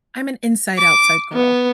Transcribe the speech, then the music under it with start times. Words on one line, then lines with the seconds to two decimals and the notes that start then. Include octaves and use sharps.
I'm an inside outside girl,
0.78 D6
1.33 B3